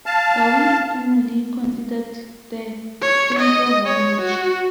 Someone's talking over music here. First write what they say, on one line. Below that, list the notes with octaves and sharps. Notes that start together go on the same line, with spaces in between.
Kawi is commonly considered the pinnacle language.
F5 A5
C#5
D#5
C#5
F#4